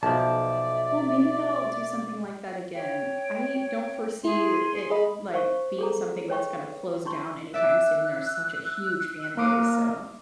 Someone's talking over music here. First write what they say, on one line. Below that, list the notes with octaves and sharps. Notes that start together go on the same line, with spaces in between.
Well, maybe they'll do something like that again. I don't foresee it, like, being something that's gonna close down anytime soon, there's such a huge fan base, so
B1 F3 D5 E5 A5
C#5 G5
E4 G#4 C6
G#4 D#5 B5
C5 F5 C#6
G#4 A4 A#5
B4 C#5 G5 C#6
E4 C6 C#6
D5 E5 E6 F#6
A#3 C6 D6 D#6